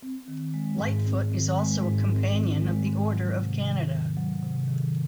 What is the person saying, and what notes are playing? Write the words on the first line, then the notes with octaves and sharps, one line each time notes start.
Lightfoot is also a Companion of the Order of Canada.
C4
D#3
G#3
G#2
C4
D#3
G#3
G#2
C4
D#3
G#3
G#2
F#3
C3
D#3
E2
F#3
C3
D#3